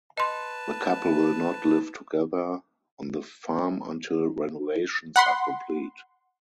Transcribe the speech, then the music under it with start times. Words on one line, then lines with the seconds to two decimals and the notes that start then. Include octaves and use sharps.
The couple will not live together on the farm until renovations are complete.
0.18 B4 D#5 A5 C6
5.16 F#5 B5 C6